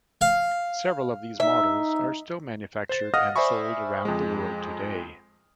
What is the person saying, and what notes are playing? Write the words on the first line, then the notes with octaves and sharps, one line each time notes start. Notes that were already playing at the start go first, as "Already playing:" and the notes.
Several of these models are still manufactured and sold around the world today.
F5
D#4 E5
C5 A6
D#5 F5 F#5 D#6 F6 A#6
C5 D5 E5 G#5 B5 C#6
F2 G#3